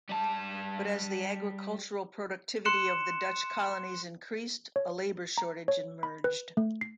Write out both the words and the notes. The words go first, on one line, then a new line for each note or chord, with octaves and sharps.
But as the agricultural productivity of the Dutch colonies increased, a labor shortage emerged.
G3 A5
C6 F#6 C#7 E7
C#5
A#5
C#5
B5
B4
A3
C7